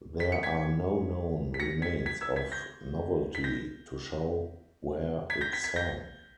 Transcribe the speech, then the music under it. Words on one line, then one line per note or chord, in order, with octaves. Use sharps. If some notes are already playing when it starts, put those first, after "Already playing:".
There are no known remains of "Novelty" to show where it sank.
B6
C#7
G#6 B6
B6
A#6 C#7
G#6 B6
G#6 B6
E6 G#6
G#6 B6
G6 A#6
B6
G6 A#6
G#6 B6
G6 A#6
G#6 B6
G#6 B6
G6 A#6